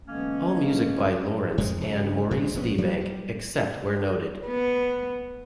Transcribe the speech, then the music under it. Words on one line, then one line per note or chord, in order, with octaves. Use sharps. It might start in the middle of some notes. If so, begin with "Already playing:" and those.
All music by Lawrence and Maurice Deebank, except where noted.
D3 E3 G#3 A#3 B3 C#4
F2 G#3
C#3 F#3
E2 G#3
A#1 B3 C#4
D2 F#3 G3 A#3
G3
B3